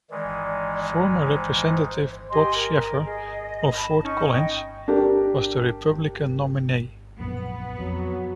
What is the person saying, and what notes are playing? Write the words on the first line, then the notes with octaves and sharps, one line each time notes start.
Former Representative Bob Schaffer of Fort Collins was the Republican nominee.
D#3 E3 G#3 D5
C5
G4 D#5 G#5 C6
A#4
G#4 D#5
A5 B5
C#4 D#4 C#6
D#5 G5
D4 G4 A#4
A#1 F#2 B3
F2 F#3